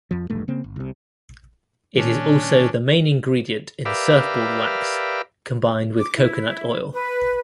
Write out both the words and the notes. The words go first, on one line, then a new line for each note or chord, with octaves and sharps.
It is also the main ingredient in surfboard wax, combined with coconut oil.
F2 F3
E1 A#1 G2 A3
C#3 A#3 C4
G1
C2 C3
A#2 D#3 G3 C#4 D4
G4 A#4 B4 D5 E5 F5
D6
E4
B4